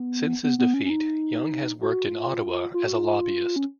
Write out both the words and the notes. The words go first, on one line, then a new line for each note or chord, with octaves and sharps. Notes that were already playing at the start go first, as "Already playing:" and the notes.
Since his defeat, Young has worked in Ottawa as a lobbyist.
Already playing: B3
B3
B3
C#4
C#4
D#4
F#4
F4
F4
F#4
F4
C#4